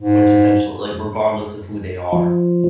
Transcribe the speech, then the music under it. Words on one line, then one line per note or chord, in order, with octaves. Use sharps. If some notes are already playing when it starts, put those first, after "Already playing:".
which essentiall like, regardless of who they are,
G#2
F3